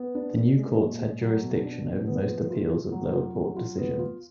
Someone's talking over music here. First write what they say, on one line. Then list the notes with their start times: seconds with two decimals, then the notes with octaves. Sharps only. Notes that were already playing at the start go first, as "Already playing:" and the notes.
The new courts had jurisdiction over most appeals of lower court decisions.
Already playing: B3
0.15 D4
0.36 D4
0.58 G#3
0.79 A#2
1.00 G#3
1.21 F#3
1.43 B2
1.64 D4
1.86 B2
2.07 B3
2.28 F3
2.50 F4
2.71 F4
2.92 F#3
3.14 F4
3.35 F#3
3.56 F4
3.78 B3
3.99 F4